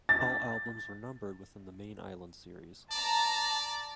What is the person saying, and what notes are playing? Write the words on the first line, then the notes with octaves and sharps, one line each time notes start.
All albums were numbered within the main Island series.
A6
D5 A5 A#5